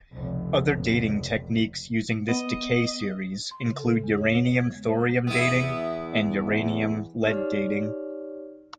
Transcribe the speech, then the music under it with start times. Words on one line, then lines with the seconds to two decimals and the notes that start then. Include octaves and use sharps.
Other dating techniques using this decay series include uranium-thorium dating and uranium-lead dating.
0.12 F1 C#2
2.28 B3 D#5
3.51 C6
3.65 C#3
3.79 A4
3.91 C#3
4.04 E2
4.18 C#5
4.31 B3
4.45 D#5
4.59 G#6
4.75 G#3
4.88 C5
5.27 E2 B3 E4
7.25 D#4 G4 C#5 D5 F6